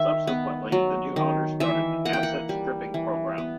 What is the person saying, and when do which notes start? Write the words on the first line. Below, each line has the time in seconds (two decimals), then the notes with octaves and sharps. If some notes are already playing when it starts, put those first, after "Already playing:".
Subsequently the new owners started an asset-stripping programme.
Already playing: D#3 E5
0.27 B3
0.72 F#3
1.16 D#3
1.60 E3 E5
2.05 A#3 F#5
2.13 G5
2.23 F#5
2.49 G3
2.94 E3
3.38 B3